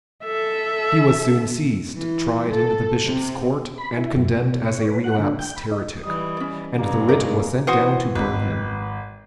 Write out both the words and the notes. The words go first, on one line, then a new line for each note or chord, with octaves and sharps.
He was soon seized, tried in the bishop's court, and condemned as a relapsed heretic; and the writ was sent down to burn him.
A4 E5
E3
A4
C3
B5
E4
F#2
B2
C#5
B4
F#5
D3
G5
B5
D#4
E3 G3 D#5
C#4 D5
G2 C3 A#3
G#3 C#4 A#4 D6
E3 F#4 C5 D#6
G#1 B4